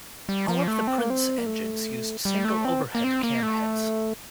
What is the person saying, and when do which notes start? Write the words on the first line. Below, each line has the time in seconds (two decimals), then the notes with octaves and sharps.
All of the Prince engines used single overhead cam heads.
0.29 G3
0.48 F3
0.68 A3
0.87 C4
0.98 A#3
1.10 C4
1.38 A#3
1.46 A3
2.25 G3
2.45 A3
2.65 C4
2.95 A#3
3.04 C4
3.23 A#3
3.43 A3